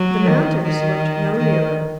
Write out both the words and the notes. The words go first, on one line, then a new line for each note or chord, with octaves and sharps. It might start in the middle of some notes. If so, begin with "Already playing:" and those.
The mountains looked no nearer.
Already playing: F#3
D#3
D#3
D#3